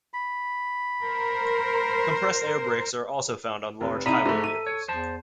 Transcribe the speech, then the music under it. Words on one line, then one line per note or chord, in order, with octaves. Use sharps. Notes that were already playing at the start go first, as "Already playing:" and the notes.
Compressed air brakes are also found on large highway vehicles.
B5
A#4 C5
F1 B4
C2 D#4 E5 A#5 B5 D#7
G#2 A3 A4
D#7
C#5
E2 C5 A5